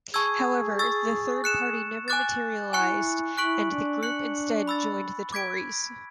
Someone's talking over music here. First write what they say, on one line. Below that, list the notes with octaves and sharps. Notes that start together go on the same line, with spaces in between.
However, the third party never materialised and the group instead joined the Tories.
G#4 A5 C#6 E6 G#6
C#6 E6 A6
F#6 C#7 E7
G#5 D6 F#6 A6
E4 G#5 C#6 F#6 C#7
E4 C#6 F#6 B6 D7 F#7
D4
D4 F#6 C#7 F#7
B5 E6 A6
D6 G#6 B6 D7